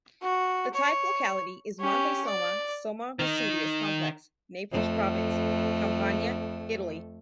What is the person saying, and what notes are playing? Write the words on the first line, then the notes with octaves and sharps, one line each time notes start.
The type locality is Monte Somma, Somma-Vesuvius Complex, Naples Province, Campania, Italy.
F#4
C#5
C#4 G4
D5
D#3 D#4
F2 A3